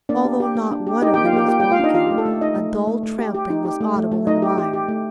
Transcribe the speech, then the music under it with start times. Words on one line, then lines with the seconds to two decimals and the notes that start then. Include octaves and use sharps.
Although not one of them was walking, a dull trampling was audible in the mire.
0.09 A#3 D4 D5
0.25 G4
0.40 G4
0.55 A#3
0.71 D4
0.87 G4
1.02 D#4 G4 D#5
1.14 A#3 G4 G5
1.25 F4 F5
1.33 A#3 G4 G5
1.48 A#3 G4 G5
1.60 A#3 G4 G5
1.72 F4 F5
1.80 D4 D#4 D#5
1.95 F4 G4 F5
2.06 A3 G4
2.18 A4
2.26 A3
2.41 D#4 D#5
2.57 A3
2.72 A3
2.88 A3
3.03 A3
3.19 G4
3.34 G4
3.50 D#4
3.65 G4
3.81 A3
3.96 A3
4.12 A3
4.27 A3 D#4 D#5
4.42 G4
4.58 G4
4.73 G4
4.88 A3